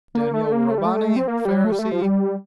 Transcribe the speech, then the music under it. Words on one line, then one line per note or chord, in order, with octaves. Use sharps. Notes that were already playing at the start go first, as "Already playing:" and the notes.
Daniel Robani, Pharisee.
A#3
A3
A#3
A3
G3
A3
C4
A#3
G3
A3
G3
A3
F3
G3